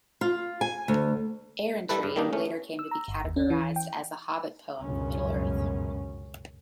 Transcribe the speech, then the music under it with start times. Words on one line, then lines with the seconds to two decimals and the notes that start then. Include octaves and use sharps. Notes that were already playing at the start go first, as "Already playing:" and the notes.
"Errantry" later came to be categorised as a Hobbit poem from Middle-earth.
0.21 F4
0.61 G#5
0.88 D2
1.89 G3 E4 A4 B4
2.03 G2
2.16 D#3 G3 A#3 D4 D#4
2.33 A3 C#4
2.79 E6
2.91 A#5
3.08 G1
3.24 D#2
3.36 C#4
3.50 E3
3.76 G5
4.79 G1 C#2 F#2 B2 C#4